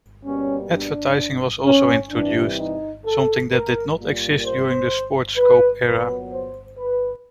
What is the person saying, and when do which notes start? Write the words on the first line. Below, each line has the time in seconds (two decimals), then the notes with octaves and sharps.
Advertising was also introduced, something that did not exist during the Sportscope era.
0.24 B2 G3 A#3 C#4
0.71 D4
1.64 C#4
2.11 C3 E3 G3 D4
2.57 D#4
3.05 A4
3.51 A#4
3.97 A#2 G3 A#3
4.44 C5
5.37 B4
5.84 A#2 F#3 B3 B4
6.31 C5
6.78 B4